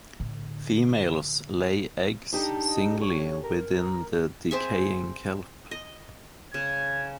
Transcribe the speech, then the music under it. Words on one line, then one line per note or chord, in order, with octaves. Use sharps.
Females lay eggs singly within the decaying kelp.
A2 D3
D4 D#4 G4 A4
C#5
A#4
C4 G#4 E5
D#5
C#3 G#6